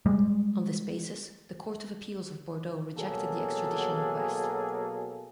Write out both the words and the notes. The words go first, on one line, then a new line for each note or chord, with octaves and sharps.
On this basis, the court of appeals of Bordeaux rejected the extradition request.
G3 G#3
B2 F#3 A#3 G#4 A4